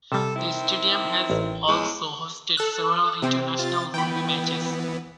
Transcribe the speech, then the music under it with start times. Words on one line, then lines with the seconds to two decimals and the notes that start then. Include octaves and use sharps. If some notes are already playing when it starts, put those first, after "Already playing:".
The stadium has also hosted several international rugby matches.
0.12 C3 G3 A4
0.36 D#3 C4 E4
1.30 A1
1.67 E2 C#3 G#3
2.57 A4 E6 F#6
3.22 C3 C4
3.59 F4 A6
3.94 E3 B3 G5 B5